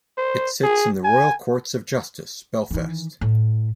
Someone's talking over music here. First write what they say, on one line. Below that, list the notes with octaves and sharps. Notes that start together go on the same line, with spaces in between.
It sits in the Royal Courts of Justice, Belfast.
C5
G#4
G#5
D#3 E3
A2